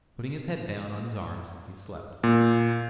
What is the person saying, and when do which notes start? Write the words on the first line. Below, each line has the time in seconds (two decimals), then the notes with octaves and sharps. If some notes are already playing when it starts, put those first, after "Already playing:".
Putting his head down on his arms, he slept.
2.24 A#2